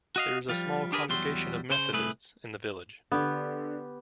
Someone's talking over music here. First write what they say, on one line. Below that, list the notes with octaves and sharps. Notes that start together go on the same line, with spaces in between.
There is a small congregation of Methodists in the village.
F#4 D#5 F5
F3 G3 F4
D4 G4 G#4 A#4 B4
E2 F#3 G3 C6
C#3 C5
C2 A2 A3 G#4 B4
D3 B3 G4